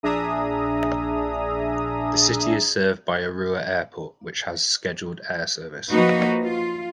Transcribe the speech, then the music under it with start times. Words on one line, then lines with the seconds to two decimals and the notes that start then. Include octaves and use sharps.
The city is served by Arua Airport, which has scheduled air service.
0.03 A#1 D4 G#4 E5 A#5 D#6
5.90 F3 A#3 D#4 F#4 B4
6.43 F4